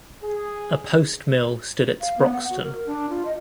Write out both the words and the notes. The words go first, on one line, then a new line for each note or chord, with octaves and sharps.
A post mill stood at Sproxton.
G#4
F5
B3
F#5
F#4
A#4
D4
F4
D#5